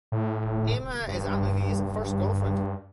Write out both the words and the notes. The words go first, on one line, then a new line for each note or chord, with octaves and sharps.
Emma is Antony's first girlfriend.
A2
G2